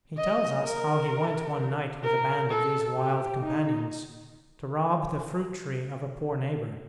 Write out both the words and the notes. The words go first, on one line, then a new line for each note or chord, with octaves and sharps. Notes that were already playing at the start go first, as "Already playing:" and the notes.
He tells us how he went one night with a band of these wild companions to rob the fruit-tree of a poor neighbour.
D#5
A#4
A#4
A4
G4
D#4